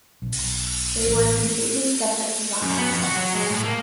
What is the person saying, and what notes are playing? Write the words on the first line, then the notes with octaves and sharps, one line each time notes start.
They were completely separate designs.
B1
A1
F#2
B3
F2
F#4
F#3
G#3
A2
A#3